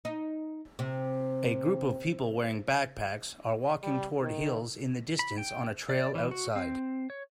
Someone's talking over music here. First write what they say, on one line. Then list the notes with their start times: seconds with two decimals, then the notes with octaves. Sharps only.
A group of people wearing backpacks are walking toward hills in the distance on a trail outside.
0.05 D#4
0.79 C3
3.83 G3
4.21 D#3
5.19 B5
5.38 G5
5.90 D5
6.15 E3
6.31 F#4
6.56 C4
7.10 C#5